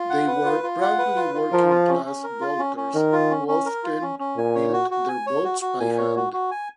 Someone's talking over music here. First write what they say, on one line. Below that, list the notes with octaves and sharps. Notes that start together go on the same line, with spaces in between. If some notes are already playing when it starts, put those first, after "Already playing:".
They were "proudly working class" boaters who often built their boats by hand.
Already playing: F4
F#5
B4
F4
F4
F#5
B4
F4
F4
F3 A#4
F4
C#4
C#4
A#4
F4
C#4
C#4
D#3 A#4
F4
C#4
C#4
A#4
F4
C#4
C#4
A#2 G#5
C#5
F#4
F#4
G#5
C#5
F#4
F#4
A#2 G#5
C#5
F#4
F#4
G#5